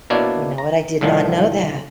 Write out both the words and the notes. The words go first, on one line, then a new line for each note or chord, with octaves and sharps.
You know what? I did not know that.
B2 A#3 D4 E4 C#5
A#5
C2 A2 D3 D#3 F3